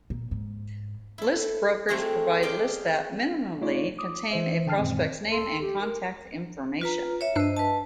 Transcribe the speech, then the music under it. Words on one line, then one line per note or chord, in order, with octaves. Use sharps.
List brokers provide lists that, minimally, contain a prospect's name and contact information.
A#2
G#2
E4 A4
A3 C4 F4 F#4 G#4
G#4 D5 D#5 F5 G5
A3 D#4 F4 C#5 D5
D6 D#6
E3 C5 E5
D3 G5 A5 F6 C7
F#2 A#2 D#3 G#3 C4
A4 C6
G4
A#4
F4 B4 A#5 F6
C#5 E5
G2 D4 C5 D#5 E6
B4 D#5 A5